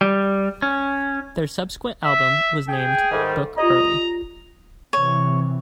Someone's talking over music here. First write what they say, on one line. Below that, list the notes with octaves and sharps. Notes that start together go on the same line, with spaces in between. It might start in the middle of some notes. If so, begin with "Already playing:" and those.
Their subsequent album was named "Book Early".
G3
C#4
E5
G#4 G5
G#2 D#3 G3 A4 E5 B5
F4 G4 D5 D#5 A#5
C3 E3 C#5